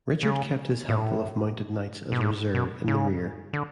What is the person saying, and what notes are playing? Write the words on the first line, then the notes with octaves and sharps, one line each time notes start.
Richard kept his handful of mounted knights as a reserve in the rear.
C#3
A2
B2
A2
B2
C#3
D3